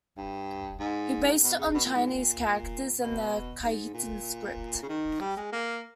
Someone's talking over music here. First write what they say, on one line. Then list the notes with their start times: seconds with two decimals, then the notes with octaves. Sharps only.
He based it on Chinese characters and the Khitan script.
0.17 G2
0.80 G#2
1.43 B2
1.59 C#3
1.74 B2
1.85 A#2
1.95 G#2
2.06 A#2
3.00 B2
3.64 G#2
3.94 A#2
4.83 C#3
4.89 D#3
5.20 G3
5.37 G#3
5.52 A#3